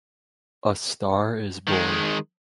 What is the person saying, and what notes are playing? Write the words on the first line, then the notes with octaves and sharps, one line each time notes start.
A star is born.
D#3 G#3